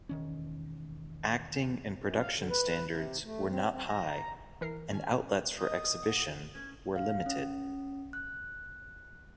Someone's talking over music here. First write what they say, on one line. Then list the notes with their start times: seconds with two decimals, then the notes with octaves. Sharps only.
Acting and production standards were not high and outlets for exhibition were limited.
0.09 E1 D#3 C#4
2.01 F#2
2.21 F5
2.36 D3
2.50 B4
2.88 C3
3.23 A3
3.49 C4
3.72 C4
3.87 A#5
4.61 E3 A#4 C7
4.90 G#1 C#4 G#5
5.58 B4 D#5 D#6
6.02 F5 F#5
6.55 C#4 B4 G#6
6.96 F5
7.26 C#4
8.13 F#6